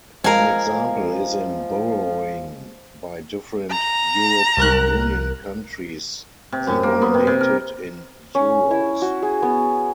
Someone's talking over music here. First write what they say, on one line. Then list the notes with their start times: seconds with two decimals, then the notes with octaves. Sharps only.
An example is in borrowing by different European Union countries denominated in euros.
0.24 F3 G#3 A#4 F5 G#5
3.71 A#5
4.57 C2 A#4 F#6
6.52 C3
6.67 F#2
6.83 A#3
7.02 B3
7.14 C3
7.27 C3
7.41 A#4
8.35 C#4
8.71 E4
9.02 F#4
9.22 G#4
9.42 B3